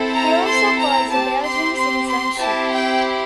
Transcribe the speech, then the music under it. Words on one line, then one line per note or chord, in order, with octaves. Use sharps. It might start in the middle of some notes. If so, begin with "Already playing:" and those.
He also holds a Belgian citizenship.
Already playing: C4 E4 A4
A#5
C6
A#5
C4 G4 A5
C6
C6
C6
C4 E4 G4 A5
G5